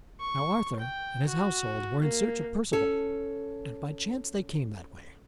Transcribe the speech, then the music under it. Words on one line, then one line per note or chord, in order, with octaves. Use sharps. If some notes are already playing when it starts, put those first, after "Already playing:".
Now Arthur and his household were in search of Perceval, and by chance they came that way.
C#6
G5
F#4
A#3
C#4 A4